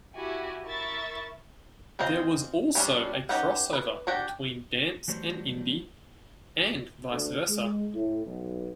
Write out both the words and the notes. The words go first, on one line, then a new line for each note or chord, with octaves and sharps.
There was also a crossover between dance and indie, and vice versa.
E4 F#4 G4 G#5
E4 A#4 E5 C#6 A6
G#3 C4 F4 C5 D#5
G3 C#4 D4
C#4 D#4 G4 B4 F#5
B4
D4 F#4 G4 F#5 G5
E3 F#3 G3 A3 C5
D2
G#3
A2
B1